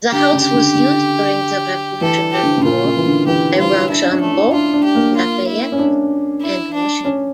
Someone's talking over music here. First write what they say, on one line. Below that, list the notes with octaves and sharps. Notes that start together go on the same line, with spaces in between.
The house was used during the Revolutionary War by Rochambeau, Lafayette, and Washington.
D3 G4
C#3
G4
D3
D3
E3 A4
G4
D3
C#3
A#2 F4
C#3
E3
D3
E3 G4
G3 F4
D4 E4
C#4
D4
A3
E4
E4
D4 F4
D4
G4
A#3
F4
E4
C#4
D4
E4
D4
C#4